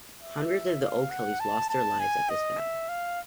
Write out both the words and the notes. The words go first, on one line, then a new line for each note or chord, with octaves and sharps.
Hundreds of the O'Kellys lost their lives at this battle.
E5
F5
F#5
A5
A5
G#5
D#5
E5
F5